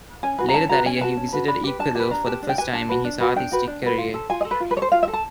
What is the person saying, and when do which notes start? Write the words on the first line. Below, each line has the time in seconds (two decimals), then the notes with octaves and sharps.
Later that year he visited Ecuador for the first time in his artistic career.
0.23 C#4 G#5
0.38 F#4 B4
0.48 A#5
0.54 C#4 A5
0.69 F#4 B4 A#5
0.85 C#4 G#5
1.01 F#4 B4 A5
1.17 C#4
1.33 F#4 B4
1.48 D4 B5
1.64 G4 B4
1.79 D4 A5
1.95 G4 B4 A5
2.11 D4 A#5
2.27 G4 B4 A5
2.43 D4
2.49 G5
2.58 G4 B4 G#5
2.73 D4 A5
2.89 F#4 B4
3.04 D4
3.20 F#4 B4
3.36 D4 G5
3.52 F#4 B4
3.67 D4
3.83 F#4 B4
3.98 F4
4.14 A4
4.30 F4 G#5
4.41 D#5
4.45 A4
4.51 B4
4.60 F4
4.71 B4
4.76 A4 C#5
4.82 C5
4.92 F4 F5
5.03 E5
5.08 A4
5.13 A5